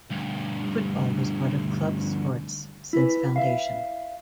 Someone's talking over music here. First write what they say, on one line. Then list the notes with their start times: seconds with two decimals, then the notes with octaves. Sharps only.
Football was part of clubs sports since foundation.
0.10 D2 G2
2.93 E4 B4
3.36 E5 F5